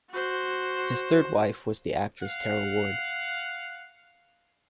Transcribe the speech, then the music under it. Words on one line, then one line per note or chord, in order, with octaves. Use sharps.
His third wife was the actress Tara Ward.
F#4 C5
F5 F#5